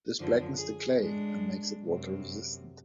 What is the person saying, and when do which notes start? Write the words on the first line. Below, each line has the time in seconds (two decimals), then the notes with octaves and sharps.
This blackens the clay and makes it water resistant.
0.19 F#2 D3 F3
0.56 G#4
0.97 A2 G#3 D4
1.83 F#2 C3